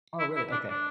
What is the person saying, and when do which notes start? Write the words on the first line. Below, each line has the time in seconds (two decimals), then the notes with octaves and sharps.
Oh, really? Okay.
0.19 E4
0.36 E4
0.52 D4
0.69 D4